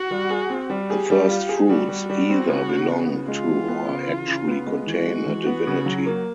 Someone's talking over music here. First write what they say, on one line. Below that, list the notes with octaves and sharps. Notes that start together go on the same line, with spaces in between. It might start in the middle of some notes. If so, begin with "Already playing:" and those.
The first-fruits either belong to or actually contain a divinity.
Already playing: F#4
G3
G#4
C4
G3
G4 G#4
G3
F4
G#4
G3 F#4
G3
G3
C4
C#3
C#3
B3
C#3
G#3 F4
E3
B3
C#3
E3
C#3
B3
G#3
E3 F#4
G#3
E3
B3
C#3
F#3
A#3